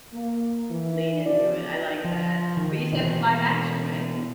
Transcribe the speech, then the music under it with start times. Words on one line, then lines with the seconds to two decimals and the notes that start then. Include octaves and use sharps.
Lean into it. I like that. But you said it's live action, right?
0.13 A#3
0.70 E3
1.24 F3 B3 F#4 D5
2.05 F3
2.57 D#3
2.93 B2 E3